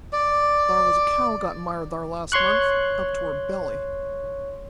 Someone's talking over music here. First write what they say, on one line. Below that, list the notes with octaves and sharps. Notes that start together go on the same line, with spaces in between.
Thar was a cow got mired thar last month, up to her belly.
D5
C#5 C6 C#6 F#6